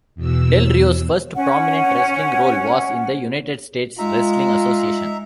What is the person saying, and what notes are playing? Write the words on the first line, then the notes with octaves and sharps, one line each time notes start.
Del Rios' first prominent wrestling role was in the United States Wrestling Association.
E2 B2 E6
C#4 F#5
G#3 D#4 F4 E5 A#5